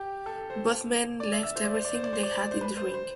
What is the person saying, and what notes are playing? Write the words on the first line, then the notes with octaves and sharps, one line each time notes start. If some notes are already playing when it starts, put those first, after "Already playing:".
Both men left everything they had in the ring.
Already playing: G4
A4
C5
D5
E5
E5
C5
D5
C5
D5
C5
D5
C5
D5
C5
D5
C5
B4
C5
C5